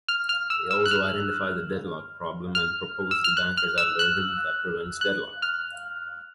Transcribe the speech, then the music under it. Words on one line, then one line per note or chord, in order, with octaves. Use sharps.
He also identified the deadlock problem and proposed the banker's algorithm that prevents deadlock.
F6
F6
E6
E6
F#6
F6
F6
E6
F6
F#6
F6
E6
F#6
F#6
F6